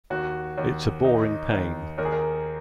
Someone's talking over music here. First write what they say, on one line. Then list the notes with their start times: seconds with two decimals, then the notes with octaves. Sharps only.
It's a boring pain.
0.10 D#2 F#4
0.58 D#2
1.05 D#4
1.51 D#2
1.98 D#2 A#4
2.05 G#4
2.12 A#4